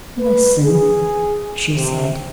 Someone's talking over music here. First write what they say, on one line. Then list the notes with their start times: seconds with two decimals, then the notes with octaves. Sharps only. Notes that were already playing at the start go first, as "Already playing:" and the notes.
"Listen," she said.
0.20 B4
0.64 G#4
1.76 C3